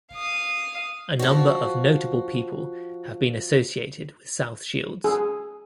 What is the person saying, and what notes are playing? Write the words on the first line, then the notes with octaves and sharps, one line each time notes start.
A number of notable people have been associated with South Shields.
F5 D#6
F3 F#4
G#4